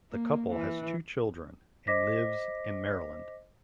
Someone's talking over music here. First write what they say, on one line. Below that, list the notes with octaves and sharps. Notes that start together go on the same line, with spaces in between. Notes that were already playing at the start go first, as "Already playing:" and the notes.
The couple has two children and lives in Maryland.
A#3
E3
C5 D#5 D6 A#6 B6